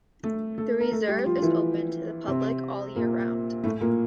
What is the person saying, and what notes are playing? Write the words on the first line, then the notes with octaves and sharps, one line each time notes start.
The reserve is open to the public all year round.
A3 A4
A3 A4
A#4
A3 A4
G3 G4
F3 F4
F4
E3 E4
C3 C4
A#2 A#3
A2 A3
A#2 A#3